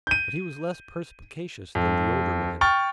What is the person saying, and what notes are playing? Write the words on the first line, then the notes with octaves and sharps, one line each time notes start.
But he was less perspicacious than the older man.
G6 D#7
F2
G5 C#6 F6 A6